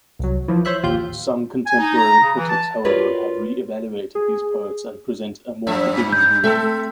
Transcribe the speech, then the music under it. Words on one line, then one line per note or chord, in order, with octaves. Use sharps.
Some contemporary critics, however, have reevaluated these poets and present a more forgiving view.
C2 F#3
E3 F3
C5 C#5 E5 F#6
A1 D#2 F4 G4 G6
G#5
D#4
A#5
C#3
E3
A5
F4 F#4 A#4 B4 C#5 D5
G#4
F#2 F3 E5
G2
G6
A3 C4 A4 E5